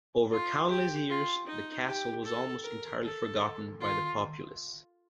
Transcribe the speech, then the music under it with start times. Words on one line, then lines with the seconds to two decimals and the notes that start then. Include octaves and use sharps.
Over countless years, the castle was almost entirely forgotten by the populace.
0.32 F4
0.69 G4
1.09 F4
1.47 D#4
1.86 G4
2.24 A4
2.63 A#4
3.03 A4
3.80 F4